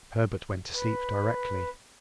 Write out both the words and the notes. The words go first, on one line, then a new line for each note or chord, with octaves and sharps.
Herbert went to sleep directly.
B4